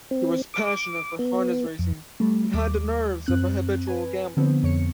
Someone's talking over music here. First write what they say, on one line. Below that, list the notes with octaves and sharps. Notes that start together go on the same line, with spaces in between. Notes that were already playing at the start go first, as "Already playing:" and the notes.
He was passionate for harness racing and had the nerves of a habitual gambler.
C4
D6
B3
F2
G3 A3
D#2 D6
F#2 C4 F#6
B4 G#5
D3 F3 B3 C4
F2 C#5 C#7